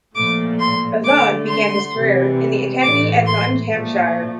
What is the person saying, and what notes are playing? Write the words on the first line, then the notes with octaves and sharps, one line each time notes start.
Azad began his career in the academy at Nottinghamshire.
A#2 F3 A3 D6
C6
D3 A3 D6
C6
C3 E3 G3
A2 E3 A3 D6
C6
A#2 F3 A3